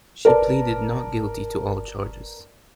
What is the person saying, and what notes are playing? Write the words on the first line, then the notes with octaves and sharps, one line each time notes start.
She pleaded not guilty to all charges.
A#4 B4 D5 A5